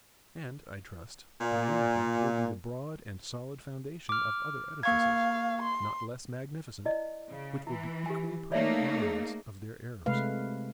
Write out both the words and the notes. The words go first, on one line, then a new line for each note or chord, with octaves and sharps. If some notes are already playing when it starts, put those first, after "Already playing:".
And, I trust, America will be the broad and solid foundation of other edifices, not less magnificent, which will be equally permanent monuments of their errors.
A#2
D6 F6
A#3 F5 C#6 G#6
C6
E4 D5 D#5
C#3
E3 E4
G4 G#5
A3 A#3 D#4 C#5 D5 E5
G#4
C3 G#3 A3 B4 F5